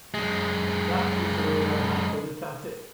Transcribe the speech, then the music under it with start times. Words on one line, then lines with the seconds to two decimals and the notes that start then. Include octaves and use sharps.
That was the way I had to look at it.
0.14 F#2 G#3